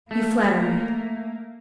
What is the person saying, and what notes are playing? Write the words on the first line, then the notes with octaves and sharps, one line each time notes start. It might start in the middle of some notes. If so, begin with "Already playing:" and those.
"You flatter me!"
A3 A#3